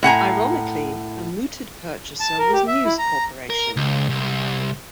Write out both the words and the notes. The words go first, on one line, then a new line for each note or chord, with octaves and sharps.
Ironically, a mooted purchaser was News Corporation.
A2 F#5 G#5 A#5
A5
A#4
G4
E5
E4
A#5
A#4
C#2
C2